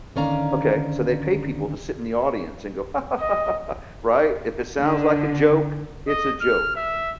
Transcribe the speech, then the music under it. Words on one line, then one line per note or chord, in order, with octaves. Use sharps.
Okay, so they pay people to sit in the audience and go ha ha ha ha ha, right? If it sounds like a joke, it's a joke.
D3 D#3 C#4 D5 F5 A#5
D#5
D3
D#5
F6
E5